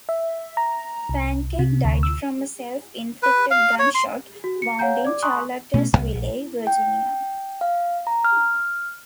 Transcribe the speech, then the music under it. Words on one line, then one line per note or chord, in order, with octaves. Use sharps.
Pancake died from a self-inflicted gunshot wound in Charlottesville, Virginia.
E5
A#5
C2
C3
D2
E6
B4
F5
C#5
C6
F#4
C#7
C#5 F5 F#5 G#5 A#5 G6
D5 D6
G#5 A#5 C6 C#6 D#6 F#6
B2 A3 B3 C#4
D1 C2
A#1
G5
F5
A#5
F6